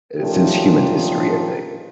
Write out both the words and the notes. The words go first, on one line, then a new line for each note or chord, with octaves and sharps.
eh, since human history, I think.
A#2 D#3 F3 A3 C#4 G4